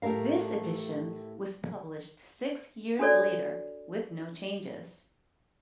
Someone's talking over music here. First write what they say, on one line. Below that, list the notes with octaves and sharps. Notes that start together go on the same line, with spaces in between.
This edition was published six years later with no changes.
A2 A3 G4 A#4 F5
D4 F#4 A4 C#5 D5